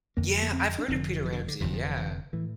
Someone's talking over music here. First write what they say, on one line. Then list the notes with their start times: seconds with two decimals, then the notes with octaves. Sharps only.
Yeah, I've heard of Peter Ramsey, yeah.
0.17 F1 F2 D3 A#3
0.43 A#3
0.53 C4
0.78 D4
0.88 F1 F2 D3 C4
1.25 E3
1.32 D3
1.48 D3
1.61 F1 F2 D3 E3
1.73 F3
1.85 E3
1.97 E3
2.33 A2 E3